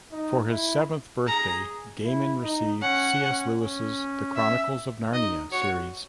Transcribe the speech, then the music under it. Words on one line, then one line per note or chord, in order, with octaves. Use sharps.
For his seventh birthday, Gaiman received C. S. Lewis's "The Chronicles of Narnia" series.
D#4
E4
G#4 A#5
E4
D#4
C#4 F#5
C#4
C#4
E5
D#4 D#5
F#4 C#5